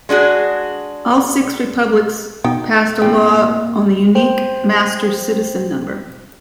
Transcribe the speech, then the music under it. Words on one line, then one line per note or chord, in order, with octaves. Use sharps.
All six republics passed a law on the Unique Master Citizen Number.
G#3 D4 F#4 G#4
B2 D#4 G5
A2 G#3 A#3 C4 G5
C5 G5